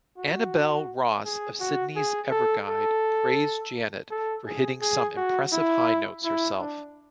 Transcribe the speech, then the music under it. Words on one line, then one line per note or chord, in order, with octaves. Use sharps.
Annabel Ross of Sydney's "Everguide" praised Janet for "hitting some impressive high notes herself".
F#4
G#4
F#4
G#4
A4
A4
A4
G#4
G#4
F#4
E4
E4
D4